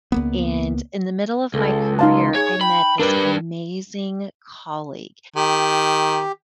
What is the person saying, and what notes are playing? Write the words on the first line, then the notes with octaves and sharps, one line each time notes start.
and in the middle of my career, I met this amazing colleague.
C#2 A#3 B3
C#2 A4
D#4 F5 A5 C6
G#4 C#5
G5 B5
G3 D4 A#4 B4
D#3 G4